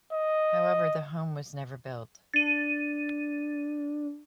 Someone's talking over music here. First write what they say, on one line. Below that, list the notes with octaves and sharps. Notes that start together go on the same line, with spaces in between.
However, the home was never built.
D#5
D4 A6 D#7